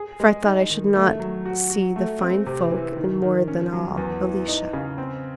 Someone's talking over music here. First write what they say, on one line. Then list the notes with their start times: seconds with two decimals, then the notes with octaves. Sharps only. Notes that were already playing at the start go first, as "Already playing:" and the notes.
For I thought I should not see the fine folk and, more than all, Alicia.
Already playing: G#4
0.20 G#3
0.45 D#4
0.70 D#3
0.95 A3
1.20 F#3
1.45 F#4
1.70 F#4
1.96 A3
2.21 C4
2.46 C3
2.71 E3
2.97 D#3
3.22 D#3
3.48 C#4
3.72 F#3
3.97 E2
4.23 E3
4.48 D#4
4.73 C#3
4.98 C4